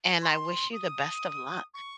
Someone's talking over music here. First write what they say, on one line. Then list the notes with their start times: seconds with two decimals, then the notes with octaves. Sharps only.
and I wish you the best of luck.
0.22 C6
0.72 D#6
1.74 C#6